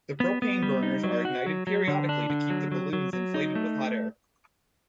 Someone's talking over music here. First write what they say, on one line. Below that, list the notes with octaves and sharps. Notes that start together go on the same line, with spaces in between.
The propane burners are ignited periodically to keep the balloons inflated with hot air.
B3
B3
G3
D#4
F#3
F#4
F#3
F#3
D3
D4
D3
F#3
F#3
F#3
F#3
D#4
A3